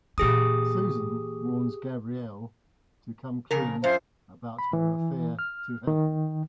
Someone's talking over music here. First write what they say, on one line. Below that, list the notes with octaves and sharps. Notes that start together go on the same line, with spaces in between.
Susan warns Gabrielle to come clean about her affair to Helen.
A#2 E3 G4 G#4 D#6
F2 C#3 A#4
F#2 F4 C5 F5
B5
E3
F6
D#3